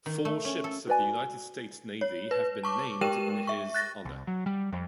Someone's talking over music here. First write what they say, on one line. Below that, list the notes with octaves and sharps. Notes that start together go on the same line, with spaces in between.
Four ships of the United States Navy have been named in his honor.
D#3
A3
C#4
A4
F#4 B4 D5 G#5
C#5
B4
A5 C#6 D6
G#3 G4 A#4 G5 D#7 E7
E5 C#6
F#6 A6 A#6
C2
F#3
G3
F2